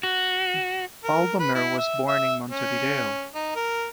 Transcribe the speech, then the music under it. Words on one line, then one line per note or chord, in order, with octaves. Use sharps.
Baldomir was born in Montevideo.
F#4
A#4
B4
E4
E5
E5
C#4
D#4
A#4